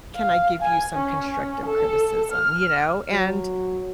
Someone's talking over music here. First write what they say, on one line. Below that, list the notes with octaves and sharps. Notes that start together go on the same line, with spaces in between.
"Can I give you some constructive criticism," you know? And
F5
G#5
C#4
A4
F6
F#3